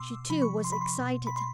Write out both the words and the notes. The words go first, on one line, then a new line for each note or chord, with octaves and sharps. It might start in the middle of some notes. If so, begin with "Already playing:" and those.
She, too, was excited.
Already playing: B2 C6 D6 E6
C3 F3 B5
C#6
C6
B5
C6
B2
B5
C6